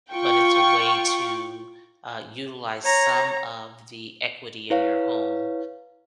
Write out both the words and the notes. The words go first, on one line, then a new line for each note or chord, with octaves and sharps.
but it's a way to, uh, utilize some of the equity in your home
F4 G5 C#6
C#5 A#5
E4 B4 C#5 F5